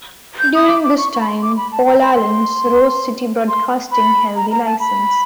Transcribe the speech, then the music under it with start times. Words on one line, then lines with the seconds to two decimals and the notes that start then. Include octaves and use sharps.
During this time, Paul Allen's Rose City Broadcasting held the license.
0.39 G6
0.55 D#6
0.68 D6
0.84 D6
0.98 C#6
1.14 C#6
1.21 B5
1.28 C6
1.42 D6
1.57 B5
1.72 A5
1.86 A#5
2.01 B5
2.16 C6
3.48 C6
3.92 B5
4.36 A#5
4.51 A#5
4.66 A5
4.80 B5